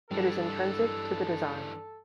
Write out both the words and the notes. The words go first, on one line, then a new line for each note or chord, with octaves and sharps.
It is intrinsic to the design.
G2 E3 G3 D4 A4